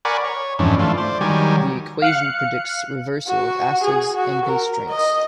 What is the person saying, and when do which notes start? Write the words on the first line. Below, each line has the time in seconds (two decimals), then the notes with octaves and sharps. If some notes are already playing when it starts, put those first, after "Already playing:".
The equation predicts reversal of acids and base strengths.
0.05 A#4 D5 F#5 G#5 B5 C#6
0.24 C#5
0.59 F2 G#2 E3 C#4 D4
0.79 E3 A3 D4 F4
0.97 C5 D5
1.21 D#3 F#3 G3 G#5
2.02 F5 F#6 C#7
3.27 F#4
3.84 G#4
4.15 F#4
4.46 A#4
4.89 D#5